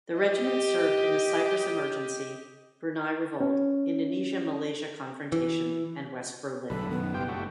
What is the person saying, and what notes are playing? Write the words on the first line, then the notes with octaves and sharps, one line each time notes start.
The regiment served in the Cyprus Emergency, Brunei Revolt, Indonesia-Malaysia confrontation and West Berlin.
G4 D#5
C#4
E3
B1 G2 D3 A4 B4
F#2 B2 D#3 B3
F#1 G2 B2 F4 G4 G5
A3 F#4 G4